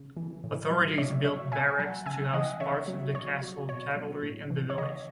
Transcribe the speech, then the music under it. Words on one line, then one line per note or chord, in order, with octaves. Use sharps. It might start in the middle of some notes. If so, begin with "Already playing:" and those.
Authorities built barracks to house parts of the castle cavalry in the village.
Already playing: C#3
E3
A2
F#3
A2 C#5 E5
F#3 C#5 E5
B2 E5 G#5
F#3 F#5 A5
C#3 E5 G#5
E3 D#5 F#5
C#3 C#5 E5
F#3
B2 C#5
F#3
B2 C#5
F#3
A2
E3
C#5
C#3 D#5